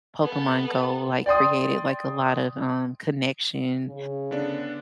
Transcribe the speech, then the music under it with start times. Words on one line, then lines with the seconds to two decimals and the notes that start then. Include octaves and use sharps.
Pokémon GO, like, created, like, a lot of, um, connection
0.22 B3 A4
1.26 D5 G5 C6 D#6
3.87 C#3
4.31 D3 B3 D4